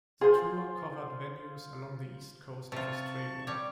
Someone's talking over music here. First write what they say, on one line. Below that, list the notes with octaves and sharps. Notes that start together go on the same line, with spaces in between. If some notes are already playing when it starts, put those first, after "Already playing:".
The tour covered venues along the east coast of Australia.
F4 G#4 C5
C3 F4 A5 C#6
G3 C#5 D6